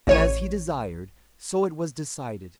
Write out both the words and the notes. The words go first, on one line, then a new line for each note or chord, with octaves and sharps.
And as he desired, so it was decided.
A1 C#5 D#7